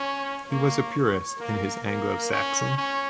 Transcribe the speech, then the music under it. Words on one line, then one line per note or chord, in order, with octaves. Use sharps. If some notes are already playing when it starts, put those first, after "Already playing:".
He was a purist in his Anglo-Saxon.
Already playing: C#4 C#5
A#3 C#5
A#3 A#4
A#3 A#4
C#4 C#5
C#4